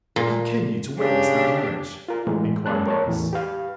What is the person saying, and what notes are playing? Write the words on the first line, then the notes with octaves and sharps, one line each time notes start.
"How came you to witness that marriage?" inquired Bryce.
A#2
C#3 D4 G4
F4 A#4
A2 E3 G#3
F#2 G#3 A#3 C#4 A5 F#6
A#4 C#5 A5
E2 A2 E3
G4 B4 F5